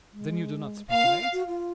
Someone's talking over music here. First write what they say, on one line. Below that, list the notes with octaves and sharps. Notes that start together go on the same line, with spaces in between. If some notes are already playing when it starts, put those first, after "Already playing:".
"Then you do not speculate?"
G#3
A#3 F5
F4
F#4
F4